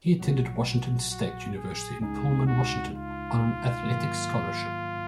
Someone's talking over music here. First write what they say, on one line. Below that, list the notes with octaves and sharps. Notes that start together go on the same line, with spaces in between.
He attended Washington State University in Pullman, Washington, on an athletic scholarship.
A#1 A#2 F#3 F#4
F#4
F#4
G#4
C#2 C#3 G#3 D#4 G#4
F#4
F4
G#2 D#3 F#3 A#3